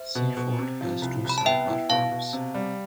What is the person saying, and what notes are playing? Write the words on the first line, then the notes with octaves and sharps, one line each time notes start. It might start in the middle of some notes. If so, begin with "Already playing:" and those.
Seaford has two side platforms.
Already playing: C5 E5
B2
B2
C3
F3
C2
C2
B5
A5
B3 E5 G5
E4
B2 F5 A5
B2
C3
G3